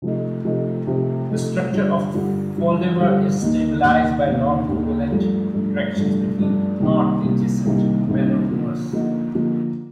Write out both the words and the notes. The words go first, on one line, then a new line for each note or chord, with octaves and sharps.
The structure of a foldamer is stabilized by noncovalent interactions between nonadjacent monomers.
C3 F3 A3 D#4
C3 F3 A3 D#4
C3 F3 A3 D#4
C3 F3 A3 D#4
G2 D3 G3 D4 F4
G2 D3 G3 D4 F4
G2 D3 G3 D4 F4
G2 D3 G3 D4 F4
D#2 D#3 A#3 D#4
D#2 D#3 A#3 D#4
D#2 D#3 A#3 D#4
D#2 D#3 A#3 D#4
G2 F3 A3 D4
G2 F3 A3 D4
G2 F3 A3 D4
G2 F3 A3 D4
C2 C3 D#3 A#3
C2 C3 D#3 A#3
C2 C3 D#3 A#3
C2 C3 D#3 A#3
D3 F3 A#3 D#4
D3 F3 A#3 D#4
D3 F3 A#3 D#4